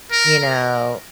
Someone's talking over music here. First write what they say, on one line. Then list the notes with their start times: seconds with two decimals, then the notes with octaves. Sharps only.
you know,
0.12 A#4